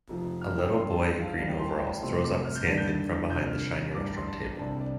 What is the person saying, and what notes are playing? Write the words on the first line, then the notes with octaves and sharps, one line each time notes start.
A little boy in green overalls throws up his hands in from behind the shiny restaurant table.
F1 F2 F3
F6
G5
G2 F3 C4 C6
A5
F5
A1 A2 G3 F5
G5
C6
A5
G5
A5
C2 C3 F3 A3 C4 C6
C6
D6
F6
G6
G2 D3 G3 D4 A6
G6
A6
C2 C3 F3 D4 G6
F6
A1 G2 G3 D6
C6
A5
C2 C3 G3 D4 A5
D5